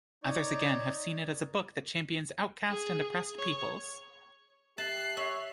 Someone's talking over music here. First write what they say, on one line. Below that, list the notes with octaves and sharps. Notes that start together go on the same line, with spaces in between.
Others again have seen it as a book that champions outcast and oppressed peoples.
D#4 C#5 D5
G#4
C#5
G4 E5 A5 F#6 C7
C#5 E5